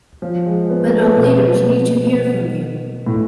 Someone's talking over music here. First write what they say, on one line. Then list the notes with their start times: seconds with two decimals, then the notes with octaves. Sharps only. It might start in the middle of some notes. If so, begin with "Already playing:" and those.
But our leaders need to hear from you.
0.22 F3
0.46 G#3
0.70 B3
0.93 A3
1.01 B3
1.08 A3
1.16 B2
3.06 A2